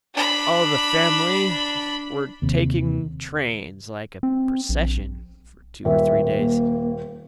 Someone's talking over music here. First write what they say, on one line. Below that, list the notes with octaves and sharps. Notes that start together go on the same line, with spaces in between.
All the family were taking trains, like a procession, for two or three days.
D4 B5
D#2 C3
C4
A#1
D#1 E5
A#3